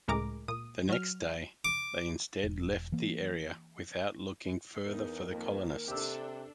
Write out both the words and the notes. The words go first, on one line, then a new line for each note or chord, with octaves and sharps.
The next day, they instead left the area without looking further for the colonists.
C#2 A2 G#3 A#4 A#5 D6
A#2 D#6
F#3 F6
D6
E1
E3 A#3
E2 B3 D#4 G#4 A#4
F2 D#3 A#3
C3 D4 G4 A4 E6